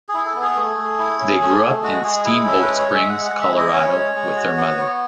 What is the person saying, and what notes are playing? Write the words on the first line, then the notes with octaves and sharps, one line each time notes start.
They grew up in Steamboat Springs, Colorado with their mother.
G#4
E4
A4
B3
G#4
A3
A3
E4
C#4
A3
A3
G#3 F#4
G#3 G#4
E4 G#4
C#4 A4
B4
G#3
C#5
G#3
E5
G#3 F#5
F#5
G#3
E5
E4
D#5
C#4 C#5
G#3
G#3
F#4
B3
B3